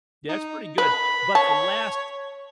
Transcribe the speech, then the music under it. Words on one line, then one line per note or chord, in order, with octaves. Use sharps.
Yeah, it's pretty good, but the last
D#4
B4 B5
C#5 A5